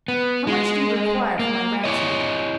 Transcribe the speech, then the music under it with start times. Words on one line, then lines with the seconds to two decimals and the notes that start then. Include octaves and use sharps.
"How much do you require for my ransom?"
0.08 B3
0.47 G#3
1.39 A#3
1.84 E4 C#5 D#5